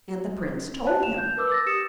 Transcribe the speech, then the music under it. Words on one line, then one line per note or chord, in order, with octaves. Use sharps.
And the prince told him.
A5 F#6
E7 F7
G6
A#4 B4 D6 E6
E6 A6 A#6
G4 D#6 C#7 E7